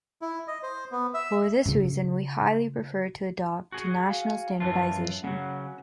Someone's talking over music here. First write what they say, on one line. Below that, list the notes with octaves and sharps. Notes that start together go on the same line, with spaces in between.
For this reason we highly prefer to adopt to national standardization.
E4
D#5
C5
B3
E5
C#3 F4
F#4 G#4
F5
F#2 E3 F4 A5
C#3 F#3 F#5